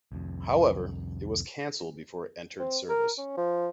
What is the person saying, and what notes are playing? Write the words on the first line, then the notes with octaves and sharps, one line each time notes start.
However, it was cancelled before it entered service.
C2 F2
C4
A#4
C#4
F3